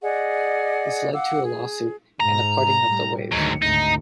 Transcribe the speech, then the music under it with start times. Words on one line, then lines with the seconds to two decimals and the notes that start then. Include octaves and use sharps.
This led to a lawsuit and a parting of the ways.
0.02 G#4 D5 D#5 F#5
1.13 F5 F#5 D6 E6
1.42 G#4
2.20 G#2 A#5
2.86 A2 G3
3.32 D2 G#2 D#3 F#3
3.62 G#1 D2 D#4